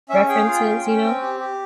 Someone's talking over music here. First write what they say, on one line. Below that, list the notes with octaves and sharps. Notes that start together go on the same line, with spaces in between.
references, you know?
C#4 E5
G#4 G5
F5
F4
G5
C#4
C#4
C4
G4
G4